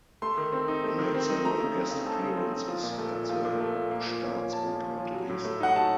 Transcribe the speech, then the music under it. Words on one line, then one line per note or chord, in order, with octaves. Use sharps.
He made several guest appearances at the Staatsoper Dresden.
A3 C6
D#3
C4
D#4
A3
D#3
C4
D#4
A3 A#5
C#3
C4
C#3
A3 A5
C#3
C4
C#3
F3
A#2
A3
A#2
F3
A#2
A3
A#2
A#3
F3
C#4
F3
A#3 A5
F3
C#4
F3
F#3
A2
A3
D#4 F#5
F#3 A5